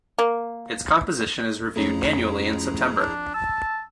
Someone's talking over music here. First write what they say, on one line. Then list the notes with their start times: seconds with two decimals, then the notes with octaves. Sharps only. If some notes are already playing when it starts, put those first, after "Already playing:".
Its composition is reviewed annually in September.
0.19 A#3
1.76 F2 A3 C#4 E4 G#4 A#5
2.97 D4
3.34 A5 E6